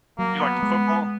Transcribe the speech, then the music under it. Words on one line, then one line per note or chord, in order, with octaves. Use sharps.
You like the football?
F#3 A#3
B3
G#3